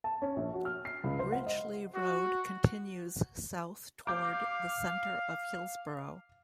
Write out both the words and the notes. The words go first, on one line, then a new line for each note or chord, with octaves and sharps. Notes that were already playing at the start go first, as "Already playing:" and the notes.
Ridgely Road continues south toward the center of Hillsboro.
A5
C#4
A#1
F#4
F6
C7
C#2
C5
F#5
D#5
F#4
F5 D6 G6